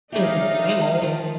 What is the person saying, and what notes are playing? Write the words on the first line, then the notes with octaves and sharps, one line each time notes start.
out and about.
D#4 G4 G#4 D5 E5 F5
D#3 F3